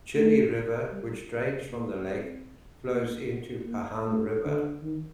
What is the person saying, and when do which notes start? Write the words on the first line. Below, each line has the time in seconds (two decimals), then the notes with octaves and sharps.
Chini River, which drains from the lake, flows into Pahang River.
0.15 A3
0.92 G3
1.71 A#3
2.10 C4
2.89 A#3
3.65 A#3
4.06 A3
4.45 D3
4.83 D#3